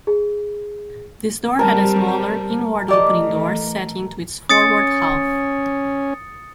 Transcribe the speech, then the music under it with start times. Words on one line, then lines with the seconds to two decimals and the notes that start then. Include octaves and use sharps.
This door had a smaller, inward-opening door set into its forward half.
0.07 G#4
1.59 G3 C4 A#4 A5
2.88 E3 A3 G4 D5 D#5
4.49 C#4 D#6 A6 C#7